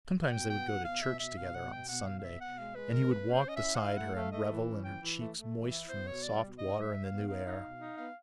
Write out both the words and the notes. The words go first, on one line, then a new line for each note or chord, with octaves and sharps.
Sometimes they would go to church together on Sunday and he would walk beside her and revel in her cheeks moist from the soft water in the new air.
F#5
B2 G5
B3 G5
B2 F#5
B2 F5
B2 E5
B2 E5
B2 F5
B2 F#5
B2 G5
B2 F#5
B2 F5
F5
B3 E5
B2 F#5
G#3 F5
G#3 B4
B2 A#4
A3 B4
C#4
C5
C#4 D#5
E5
E4
F#5
E4 F5
A3 F#5
A3 F5
A3 D#5
E3
C#4
E3 G5
E3
A3
A3
E3
E4
B3 C5
B2 C#5
G3 D5
B2
D#4 D#5
G3
E5
G3
F5
B3
D#4 F5
D#4
B2
D#4
B3 F5